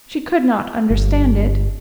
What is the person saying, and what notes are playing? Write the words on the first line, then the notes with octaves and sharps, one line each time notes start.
She could not understand it.
G1